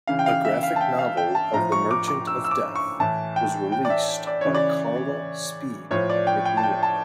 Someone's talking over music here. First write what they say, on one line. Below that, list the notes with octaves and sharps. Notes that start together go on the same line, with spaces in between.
A graphic novel of the Merchant of Death was released by Carla Speed McNeil.
C#3 E3 F5
G5
F5
E5
F5
A5
G5
F5
G5
A5
A2 F3 A#5
C#6
D6
D6
E6
E6
D6
C#6
A2 E3 A5
G5
G5
D5
E5
D5
C#3 E3 C#5
D5
A2 F3 C#5
D5
G5
G5
A5
G5
A5